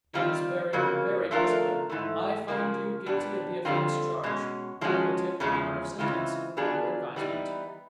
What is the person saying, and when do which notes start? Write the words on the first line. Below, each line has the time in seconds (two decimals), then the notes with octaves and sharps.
"It is very, very puzzling-I find you guilty of the offense charged, but will take the matter of sentence under advisement."
0.14 D#3 G3 C4 F4
0.73 F2 C#3 F#3 A#3
1.31 F3 A3 D4 F4 A#4
1.90 G#2 E3 A3
2.48 C#3 F3 A#3
3.06 A#2 G3 B3 D4
3.65 F2 D3 G3 C4 F4
4.23 B2 G#3 C#4
4.81 F3 G#3 C#4 F#4
5.40 E2 C#3 F3 G#3
5.99 C#3 E3 G#3 C4 F4
6.57 F#3 B3 D4 F4 G#4
7.16 E3 G3 B3 D#4